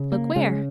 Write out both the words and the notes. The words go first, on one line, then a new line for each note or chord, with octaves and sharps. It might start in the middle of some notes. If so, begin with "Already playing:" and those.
"Look where?"
Already playing: C#3
A#3
C#3 G#3